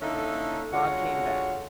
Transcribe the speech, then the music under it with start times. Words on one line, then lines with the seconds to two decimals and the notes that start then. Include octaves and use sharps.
Bob came back.
0.01 D3 A#3 C#4 D#4 E4 A4
0.73 D3 G#3 F4 F#4 C#5